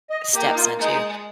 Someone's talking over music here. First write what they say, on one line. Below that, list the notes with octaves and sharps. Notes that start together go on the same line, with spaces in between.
stepson too,
D#5
A#3 G4
D#4
F4
G#3 D#4